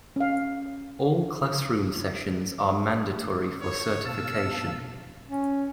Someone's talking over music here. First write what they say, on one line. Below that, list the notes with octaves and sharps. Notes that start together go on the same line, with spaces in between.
All classroom sessions are mandatory for certification.
C#4 F5
C#5
B2 F5 A5 E6
C#4